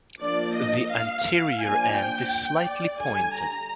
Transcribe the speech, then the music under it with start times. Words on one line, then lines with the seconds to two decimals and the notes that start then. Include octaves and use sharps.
The anterior end is slightly pointed.
0.20 F3 A#3 D4 D5
0.55 D#5
0.90 F5
1.60 F3 A#3 D4 G#5
1.95 G5
2.65 D5
3.00 D3 G3 D4 G#5
3.35 A#5